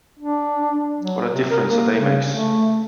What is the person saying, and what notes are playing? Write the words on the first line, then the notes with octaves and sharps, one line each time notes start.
What a Diff'rence a Day Makes!
D4
F#3
C3
A#4
A#3
C#3
A3